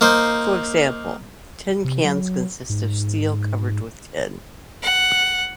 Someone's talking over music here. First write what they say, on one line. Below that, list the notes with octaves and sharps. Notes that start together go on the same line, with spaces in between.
For example, tin cans consist of steel covered with tin.
A#3 D#4 C5
C3
F#3
G#2
F#5